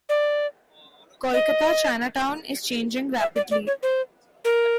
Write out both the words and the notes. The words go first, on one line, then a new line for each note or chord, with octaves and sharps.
Kolkata Chinatown is changing rapidly.
D5
D#5
E5
D5
D5
C#5
C5
A#4